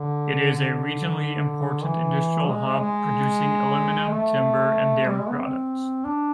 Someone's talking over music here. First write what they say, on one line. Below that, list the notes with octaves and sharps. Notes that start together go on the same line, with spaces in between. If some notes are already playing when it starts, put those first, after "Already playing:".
It is a regionally important industrial hub, producing aluminium, timber and dairy products.
Already playing: D3
D3
E3
G#3
G#3
A3
G3
G#3
B3
C4
D4